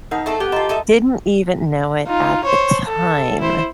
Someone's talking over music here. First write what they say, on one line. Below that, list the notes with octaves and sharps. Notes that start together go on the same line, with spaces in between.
Didn't even know it at the time.
F3 D#4 A#4 F#5 D#6
A3 C4 A4
B3 G4 A4
F4 F#4 A4 D#5 A#5
D#4 A4 E5
D#4 F4
C5 C#5
A4
E4 C5